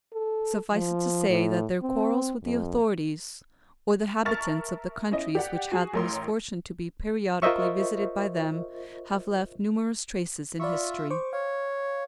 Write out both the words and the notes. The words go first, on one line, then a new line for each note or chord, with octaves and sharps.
Suffice it to say that their quarrels with the authorities, or the inhabitants of the countries which had the misfortune to be periodically visited by them, have left numerous traces in history.
A4
F3
A2
C4
F2
A#4 E5 A5 C#6 F6 A6
C#4 E4 D#5
G4 D5 F#5
F#4 G#4
A1 A2 A#4 C#5 C6
F4 A#4 C5 D#5 E5 C#6
F4 D5 E5 B5 C#6
C5 C#6 D6
C#5 F5